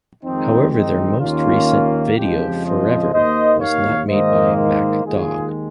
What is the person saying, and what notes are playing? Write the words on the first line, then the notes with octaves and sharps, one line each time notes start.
However, their most recent video, "Forever", was not made by Mack Dawg.
F2 D#3 G#3 C4 D#4
C4 D#4
D#2 D#3 A#3 C#4 F4
F2 C#3 F3 G#3 D#4 G4
C5 D#5
D#2 D#3 A#3 C5 D#5
C#5 F5
G#2 D#3 A#3 C5 D#5
C5 D#5
D#2 D#3 G#3 F4 G#4